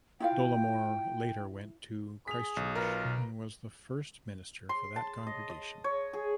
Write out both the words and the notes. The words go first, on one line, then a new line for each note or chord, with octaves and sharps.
Dolamore later went to Christchurch and was the first minister for that congregation.
E4 F4 F5 G5
G#4 B6 F7
B1
F4 A#4 B4
B2
C6
A5
D#5
D#5
C#5
G#4